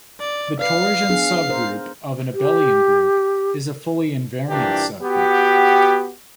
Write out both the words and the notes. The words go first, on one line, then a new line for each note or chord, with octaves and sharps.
The torsion subgroup of an abelian group is a fully invariant subgroup.
D5
B4 D5 F5 C7
B3 D4 G#4
A#4 C5
G4
C2 A#2 E3 D4 G4
B3 F#4 G4